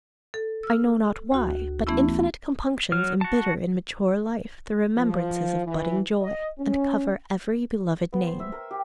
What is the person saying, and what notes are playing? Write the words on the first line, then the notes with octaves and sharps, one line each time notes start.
I know not why, but infinite compunctions embitter in mature life the remembrances of budding joy and cover every beloved name.
A4
E6 F6
D2 F#4
E3 A3 B3 C#4 E4
F#3 F6
F#4 A5
F3
E3
D#5
C#4
B3
C5
E5
A#4
G4